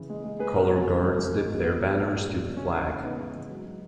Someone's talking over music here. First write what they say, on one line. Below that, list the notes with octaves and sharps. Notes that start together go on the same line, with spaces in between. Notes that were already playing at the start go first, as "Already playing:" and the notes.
Color guards dip their banners to the flag.
Already playing: C#3 E3
G#3
G#3
G#3 G#4 B4
B2 F#4 A#4
C#3 C#4
E3
G#3
G#3
G#3
B2
G#3 B3
G#3
A#2
F#3
F#3
B2
C#3 C#4
E3
G#3
C#3 B3 D#4
E3
G#3
F#3
F#3